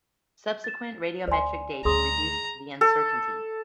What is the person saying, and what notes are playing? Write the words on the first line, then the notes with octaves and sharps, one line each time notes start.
Subsequent radiometric dating reduced the uncertainty.
A6 E7
D2 C5 D5 G#5 C6
D2 A2 G#4 A#5 C6 D#6
A4